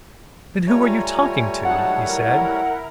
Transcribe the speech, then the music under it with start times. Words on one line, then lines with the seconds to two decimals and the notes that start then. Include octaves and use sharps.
"Then who are you talking to?" he said.
0.67 G3 A3 F4 C#5 G#5 A#5
1.65 F#3 D#4 F#5 A5
2.04 E4 A#4